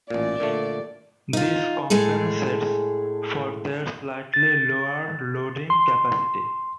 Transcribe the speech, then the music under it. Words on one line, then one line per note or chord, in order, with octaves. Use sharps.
This compensates for their slightly lower loading capacity.
A1 A#2 D5
A#2 D3 A3
D#4 F4
A2 G#3 G#4 A4
A6
C6